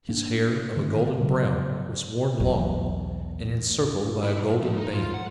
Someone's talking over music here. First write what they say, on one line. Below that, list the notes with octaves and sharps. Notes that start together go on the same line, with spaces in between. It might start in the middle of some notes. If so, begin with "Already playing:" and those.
His hair, of a golden brown, was worn long, and encircled by a golden band.
A#3 D4
D3 D#3 A3 C4
C#3 F#3
B1 E2 F#3 B3
E4
B1
F3
D#4
F4
F#5